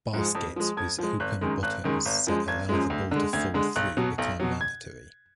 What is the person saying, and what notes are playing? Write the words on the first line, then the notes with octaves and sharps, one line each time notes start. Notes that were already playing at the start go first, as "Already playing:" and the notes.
Baskets with open bottoms that allow the ball to fall through become mandatory.
G#2 F3 G#3
F2
F3 G#3
F2 G#6
F3 G#3
G#1 F#6
F#2 D#3 G#3
G#1 F#6
F#2 D#3 G#3
G#1
F#2 F3 G#3
G#1 G#6
F#2 F3 G#3
D2
D3 G#3
D2 G#6
D3 G#3
B1 F#6
B2 F#3
B1
B2 F#3
G#6